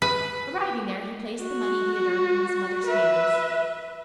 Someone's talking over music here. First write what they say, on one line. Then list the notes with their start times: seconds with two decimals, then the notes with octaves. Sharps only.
Arriving there he placed the money he had earned in his mother's hands.
0.02 B4
1.42 F#4
2.87 B4 E5